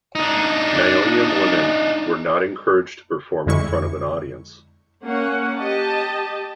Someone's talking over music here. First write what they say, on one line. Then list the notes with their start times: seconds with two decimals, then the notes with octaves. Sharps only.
Nyonya women were not encouraged to perform in front of an audience.
0.15 D4 D#4
3.46 F2 D3 G#3 E4 C#6
5.04 A#3 C#4 F#5
5.57 G4 D#5 A5